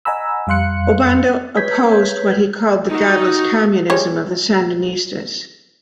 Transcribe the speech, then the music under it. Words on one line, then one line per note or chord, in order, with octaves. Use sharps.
Obando opposed what he called the "godless communism" of the Sandinistas.
D#5 F#5 G#5 A#5 B5 E6
F2 G3 F5 C6 F#6 C#7
B4 C#5 G6 G#6 B6
D#4 F#4
G3 G#3 C#5